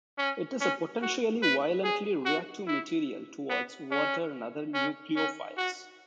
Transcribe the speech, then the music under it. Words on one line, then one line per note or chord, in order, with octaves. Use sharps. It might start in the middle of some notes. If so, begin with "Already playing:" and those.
It is a potentially violently reactive material towards water and other nucleophiles.
C#4
C#4
F#4
B4
G#4
F#4
E4
B3
C#4
C#4
C#4
F#4